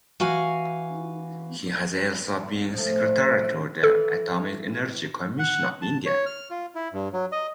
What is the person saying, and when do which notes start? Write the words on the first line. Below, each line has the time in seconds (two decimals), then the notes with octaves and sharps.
He has also been Secretary to the Atomic Energy Commission of India.
0.20 E3 F#4 F5 G#5
2.74 F3 A3
3.83 E3 A4
5.39 F#5
5.82 A5
6.06 C#5
6.26 F6
6.50 F4
6.75 E4
6.93 G2
7.13 F#3
7.32 D#5